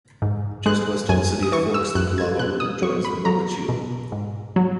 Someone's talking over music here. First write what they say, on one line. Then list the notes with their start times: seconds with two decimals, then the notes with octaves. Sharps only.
Just west of the city of Forks the Calawah River joins the Bogachiel.
0.22 G#2
0.66 G#3 F#6
1.09 F#2 G#5
1.43 D#6
1.52 E3 C#6
1.74 E6
1.95 F#2 F#6
2.18 G#6
2.39 B2 F#6
2.60 D#6
2.82 F#3 C#6
3.05 B5
3.25 F#3 A#5
3.69 B2
4.12 G#2
4.56 F#3